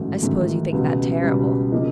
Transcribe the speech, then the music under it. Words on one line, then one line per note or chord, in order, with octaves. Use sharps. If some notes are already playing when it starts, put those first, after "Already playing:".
"I suppose you think that terrible."
Already playing: A1 G#2 D#3 F#3 A3
A1 G#2 D#3 F#3 A3
C#2 B2 G3 B3
C#2 B2 G3 B3
C#3 F3 A#3 D#4